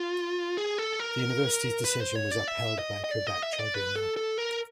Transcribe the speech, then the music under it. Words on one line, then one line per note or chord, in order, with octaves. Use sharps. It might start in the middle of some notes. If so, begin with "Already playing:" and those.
The university's decision was upheld by a Quebec tribunal.
Already playing: F4
G#4
A4
A#4
B4
C5
C#5
D5
E5
D#5
D#5
D5
D#5
E5
D#5
D5
B4
A4
A4
A#4